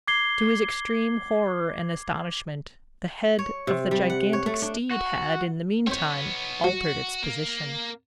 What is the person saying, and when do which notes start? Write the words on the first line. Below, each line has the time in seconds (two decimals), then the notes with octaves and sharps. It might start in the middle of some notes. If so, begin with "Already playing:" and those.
To his extreme horror and astonishment, the head of the gigantic steed had, in the meantime, altered its position.
0.08 D6 G#6 C7 G7
3.39 C#5
3.67 C3
3.91 G3
4.10 F#5
4.33 C#5
4.46 A3
4.62 D4
4.91 F#4
5.87 B3 C4 C5 C#5
6.64 F#3 F#4
7.23 A#3